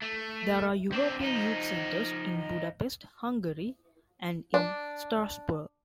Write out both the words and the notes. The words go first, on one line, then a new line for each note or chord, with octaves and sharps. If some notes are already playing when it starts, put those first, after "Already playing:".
There are European Youth Centres in Budapest, Hungary, and in Strasbourg.
A3
C4 D4
F3 D#4
D4